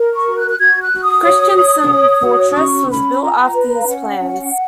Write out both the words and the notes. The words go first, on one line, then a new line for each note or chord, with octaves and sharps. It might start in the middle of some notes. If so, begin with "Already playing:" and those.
Kristiansten Fortress was built after his plans.
Already playing: A#4
C#6
F#4
F#6
F#6
F#4 G#6
F#6
F#4
D#6
C#5
C#5
C#5
F#4
C#4 C#6
C#4 B5
F4 A#5
B4
F5
C#4 F#5
C#4